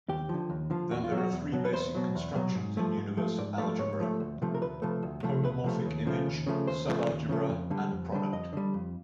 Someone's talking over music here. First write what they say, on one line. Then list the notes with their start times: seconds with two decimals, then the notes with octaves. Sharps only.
Then there are three basic constructions in universal algebra: homomorphic image, subalgebra, and product.
0.09 D#2 G4
0.29 D3 F3
0.50 D#2
0.70 D3 F3
0.91 E2 F#4
1.04 F4
1.11 B2 F#3
1.17 F#4
1.32 E2
1.52 B2 F#3
1.65 B4
1.73 E2 C5
1.95 B2 F#3
2.15 E2
2.35 B2 F#3
2.55 G#2
2.77 F3 A3
2.97 G#2
3.17 F3 A3
3.38 G#2 D5
3.58 F3 A3 D5
3.79 G#2 C#5
4.00 F3 A3
4.20 D2
4.42 C3 F3 A3
4.55 A#4
4.62 D2 B4
4.82 C3 F3 A3
5.03 D2
5.23 C3 F3 A3
5.43 D2 B4
5.64 C3 F3 A3
5.85 D#2
6.05 C#3 F3 A3
6.26 D#2
6.46 C#3 F3 A3
6.67 D#2 C5
6.88 C#3 F3 A3
7.09 D#2
7.29 C#3 F3 A3
7.49 F2
7.70 D3 G3
7.92 F2
8.12 D3 G3
8.33 F2 D#5
8.53 D3 G3
8.74 F2